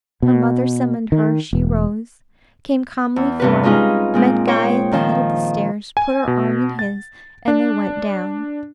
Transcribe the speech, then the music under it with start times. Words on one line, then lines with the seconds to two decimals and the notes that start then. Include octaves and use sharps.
Her mother summoned her; she rose, came calmly forth, met Guy at the head of the stairs, put her arm in his, and they went down.
0.22 B2
1.12 D#3
1.53 E1
3.16 E2
3.40 G2 C3 B4
3.63 G#3 C#4 D#4 F4 G#4
4.14 A#2 G#3 C4
4.48 C5 C#5 G5
4.92 D#3 F3 C5
5.97 G#5
6.27 B2
6.79 A6
7.48 D4